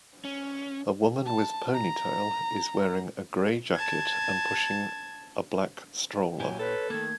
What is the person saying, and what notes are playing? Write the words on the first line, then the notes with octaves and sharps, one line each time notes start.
A woman with ponytail is wearing a gray jacket and pushing a black stroller.
C#4
A5
A#5
A5 G#6
A#2 F#3 E4 G4 G#5
A4 B4 C#5
D#3 A3 A#3 G#6